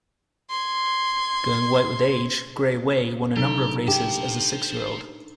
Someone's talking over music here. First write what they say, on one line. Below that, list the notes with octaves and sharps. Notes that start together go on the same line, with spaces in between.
Going white with age, Grey Way won a number of races as a six-year-old.
C6 G#6
C3 F#3 D4 D#4 G4 A4
G4 C5 A5